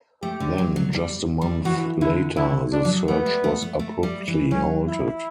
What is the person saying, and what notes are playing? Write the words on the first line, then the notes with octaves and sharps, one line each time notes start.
Then just a month later, the search was abruptly halted.
A3 G4
D3
F#3
F#3
G3
G3
E3 F#4
D3 E4
D3 E4
D4
F#3
A3 B3
G3
A3
B3
A3
G3
E3
F#3 C#4
E4